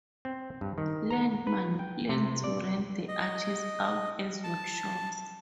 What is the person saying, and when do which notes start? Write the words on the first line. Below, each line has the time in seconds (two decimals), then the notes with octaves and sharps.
Landmann planned to rent the arches out as workshops.
0.25 C4
0.61 G2
0.78 D#3
1.11 A#5
1.47 B4
1.79 G5
2.09 C3
2.44 D5
3.08 D#5
4.44 A5